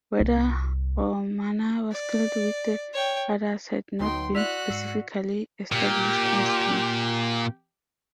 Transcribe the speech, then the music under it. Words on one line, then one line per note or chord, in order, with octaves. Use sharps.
Whether Romana was killed with the others had not been specifically established on screen.
C2
D5
C#5 G5
D2 F#3 B3 D#4 G5 C6
E4 F#4 D5 E6 F#6 B6 F7
G#2 E6 C7 C#7
A#2 G4